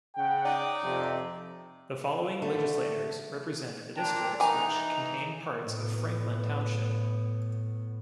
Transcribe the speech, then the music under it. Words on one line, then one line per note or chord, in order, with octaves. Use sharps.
The following legislators represent the districts which contain parts of Franklin Township.
C#3 F#5 G5
D#4 D5
F2 C3
D3 A3
A#2 D4 G5 A#5
E3 A#3 D#4 G#5 A#5
A2 B3